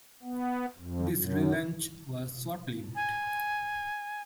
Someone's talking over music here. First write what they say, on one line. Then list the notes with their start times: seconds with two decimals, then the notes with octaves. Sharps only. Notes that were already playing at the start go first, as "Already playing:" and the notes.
This relaunch was short-lived.
0.23 B3
0.78 F2
1.13 F#2
2.95 G#5